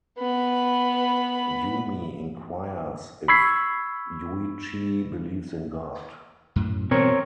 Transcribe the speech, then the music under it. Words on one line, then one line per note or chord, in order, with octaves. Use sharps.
Yumi inquires if Yuichi believes in God.
B3 B5
B5 C#6 E6 G#6 B6 C7
F#2 A2
B2 E3 G3 C4 A#4 C#5